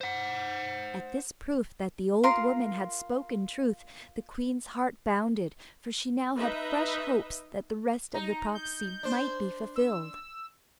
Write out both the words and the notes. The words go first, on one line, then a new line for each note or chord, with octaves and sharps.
At this proof that the old woman had spoken truth, the queen's heart bounded, for she now had fresh hopes that the rest of the prophecy might be fulfilled.
C5 F#5
F4 A#4 A#5 C6
D#4 B4 D#5 E5
D#4 A#5
G6
D4 C5
E6